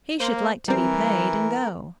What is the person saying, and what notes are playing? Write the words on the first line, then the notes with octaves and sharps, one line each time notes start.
He should like to be paid, and go.
A#3 C5
E3 G3 C4 A#4